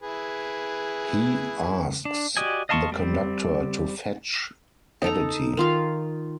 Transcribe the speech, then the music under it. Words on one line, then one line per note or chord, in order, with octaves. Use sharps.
He asks the conductor to fetch Aditi.
E4 G#4 B4
D4
F#4 G4 D5 D#5 G#5
D#5 F5 A5 C6 C#6
G3 C4
D#4 A4 A#5
D#3 F4 F5